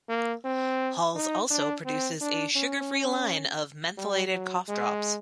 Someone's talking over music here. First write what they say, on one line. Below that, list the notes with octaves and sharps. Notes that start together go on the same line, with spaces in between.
Halls also produces a sugar free line of mentholated cough drops.
A#3
C4
D#4
D4
C4
D4
C#4
G3
F#3
G#3